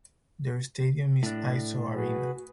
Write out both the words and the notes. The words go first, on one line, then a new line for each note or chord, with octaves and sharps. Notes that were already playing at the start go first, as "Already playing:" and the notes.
Their stadium is Izo Arena.
A2 D4
F#4 G#4 B4